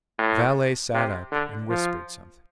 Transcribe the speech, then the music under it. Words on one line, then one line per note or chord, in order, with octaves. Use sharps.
The valet sat up and whispered something.
A2
C3
D3
F3